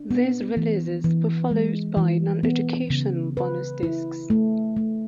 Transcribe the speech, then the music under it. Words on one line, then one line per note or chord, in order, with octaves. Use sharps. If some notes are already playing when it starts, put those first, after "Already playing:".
These releases were followed by noneducational bonus discs.
Already playing: D4
B3
E3
E3
G#3
E3
B3
C#3
B4
E4
A3
A3